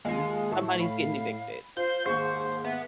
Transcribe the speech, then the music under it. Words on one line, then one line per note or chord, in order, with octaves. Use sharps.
This" somebody's getting evicted.
D#2 G#3 F4 C7
A2 E5 A5 C#6
F5 B5
F4 C5 G6
D#2 G#2 C5 C#6
B3 E5